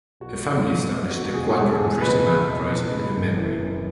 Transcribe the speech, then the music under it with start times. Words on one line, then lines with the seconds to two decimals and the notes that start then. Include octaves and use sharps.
Her family established the Quandra Prettyman Prize in her memory.
0.20 B1 F#4
0.44 B1
0.66 B2
0.88 B2
1.10 D3 F#4
1.25 F#4
1.33 E1 G#4
1.47 G#4
1.55 E1 A4
1.78 E2 G#4
2.01 C#2 B4
2.24 C#2
2.46 B2
2.68 B2
2.90 C#3
3.13 F#1
3.35 E3
3.58 F#2